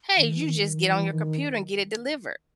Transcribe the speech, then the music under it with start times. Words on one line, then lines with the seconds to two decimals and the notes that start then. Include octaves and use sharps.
hey, you just get on your computer and get it delivered.
0.16 D#3
0.31 E3
0.44 D#3
0.79 E3
1.10 D#3